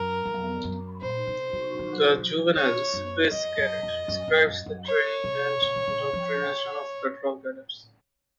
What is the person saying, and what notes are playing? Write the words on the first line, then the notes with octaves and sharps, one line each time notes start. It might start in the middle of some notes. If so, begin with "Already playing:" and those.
The juvenile "Space Cadet" describes the training and indoctrination of Patrol cadets.
Already playing: F#2 A#4
F2
F#2
A#2 C5
C3
C3
D#3
F3
D#3 C#5
F#2
F2 D#5
F#2
F2
F#2
F#2
F#2
F#2
C#5
C3
C#3
D#3
C#3
F3